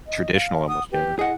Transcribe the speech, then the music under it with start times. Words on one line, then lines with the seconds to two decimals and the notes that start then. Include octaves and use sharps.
traditional, almost, yeah.
0.07 D#5
0.34 F5
0.68 F#5 D#6
0.92 G4 B4
1.19 E4 G#4 D#5 F#5